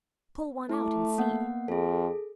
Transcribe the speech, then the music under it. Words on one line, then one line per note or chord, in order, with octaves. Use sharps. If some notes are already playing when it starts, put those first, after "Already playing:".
"Pull one out and see!"
A3 E4 D6
A#3 B3 F#5
F2 G#4 A4